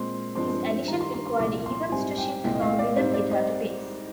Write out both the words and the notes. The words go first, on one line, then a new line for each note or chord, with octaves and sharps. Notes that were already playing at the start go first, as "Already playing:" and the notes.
His addition required Evans to shift from rhythm guitar to bass.
Already playing: A#2 G#3 C4 C6
G2 F3 G#3 C4 C6
G2 D#3 G3 A#5
C6
C6
C6
C2 A#2 F3 D6
C6
G#2 G3 C4 G#5
G5
C2 A#2 G#3 C4 G5
D#5
F5
D5
G#2 G3 C4 C5
D5
D#5